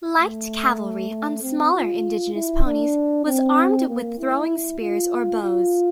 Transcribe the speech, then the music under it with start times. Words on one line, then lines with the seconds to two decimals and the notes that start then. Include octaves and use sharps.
Light cavalry on smaller indigenous ponies was armed with throwing spears or bows.
0.19 A3
1.42 C4
1.73 F4
2.35 E4
2.65 D4
3.26 C4
3.88 A#3
4.19 E4
4.80 F4
5.42 F4